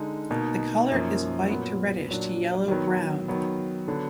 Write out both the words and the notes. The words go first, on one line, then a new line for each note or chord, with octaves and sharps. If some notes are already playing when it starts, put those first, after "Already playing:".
The color is white to reddish to yellow brown.
Already playing: D3 G#3 D#4
B2 A#3 D#4
F#2 F3 A#3
A#2 F#3 B3
A#2 F#3 D4
D#3 F#3 B3
D#3 F#3 B3
D3 F#3 B3